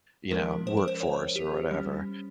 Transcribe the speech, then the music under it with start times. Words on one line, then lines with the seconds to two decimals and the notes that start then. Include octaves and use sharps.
you know, workforce or whatever?
0.31 F3 G#3 C#4 A#4
0.67 C5
0.77 A#4
0.88 C5
1.00 C#5
1.36 G4
1.71 G3 C#4